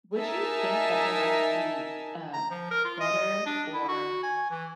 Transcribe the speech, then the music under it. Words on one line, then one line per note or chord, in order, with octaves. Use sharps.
would you think that your life would be, um, better or
D#4 A#4 E5 G#5 A5
A#5
F3
A#4
F4
D#5
D4
E4
F#4
G#5
E3